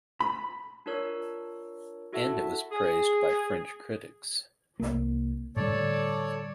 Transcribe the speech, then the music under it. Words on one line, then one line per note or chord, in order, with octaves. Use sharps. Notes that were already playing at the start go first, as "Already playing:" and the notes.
And it was praised by French critics.
B5
D4 F4 A#4 C#5 E6
E4 F#4 A4 E5 F#5 A5
G#4
C2 A#3
A2 D3 G3 A4 C#5 D5